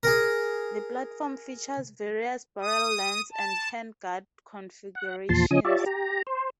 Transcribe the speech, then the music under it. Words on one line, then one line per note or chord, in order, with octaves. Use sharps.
The platform features various barrel lengths and handguard configurations.
G#4 A#4
D#6
A5
F#5
E2 A#2 F3 A5 C6
C#3 F3 C#4 D#5 G#5 D#6
F4 G4 C#5 D5 E5 A5
G4 A#5
C5